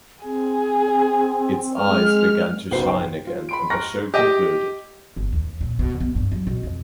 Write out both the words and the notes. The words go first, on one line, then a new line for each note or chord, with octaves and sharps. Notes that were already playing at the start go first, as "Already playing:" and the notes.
Its eyes began to shine again and the show concluded.
C4 G#4
G#3 F6
F#1 B1 F#4 B4 C5 C7
G5
F4
B5 C6 D7
A#5 C6 C#6 F6 F#6 A#6
G4 D#5 G5
G1
D#2
A#2
B2
B3
G2
F#3
B2
F2